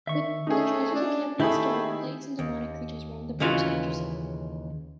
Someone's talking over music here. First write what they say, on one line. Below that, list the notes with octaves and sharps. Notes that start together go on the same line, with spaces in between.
With the treasures of Camelot stolen, plagues and demonic creatures roam the British country-side.
D#3 E5 C#6
A3 C#4 D#4 G#4
D4
D#3 A3 E4 G4 G#4 B5
D#2
D#2 C#3 E3 F4 F#4